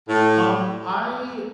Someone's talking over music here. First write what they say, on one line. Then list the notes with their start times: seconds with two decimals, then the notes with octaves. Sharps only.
Um, I
0.08 A2